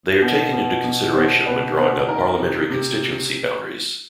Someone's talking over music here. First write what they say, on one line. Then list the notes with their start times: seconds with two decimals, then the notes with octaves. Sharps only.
They are taken into consideration when drawing up Parliamentary constituency boundaries.
0.22 B2
0.53 B2
0.84 B2
1.15 B2 C5
1.46 B2 B4
1.77 B2 B4
2.08 D#3 A#4
2.39 C3
2.70 C3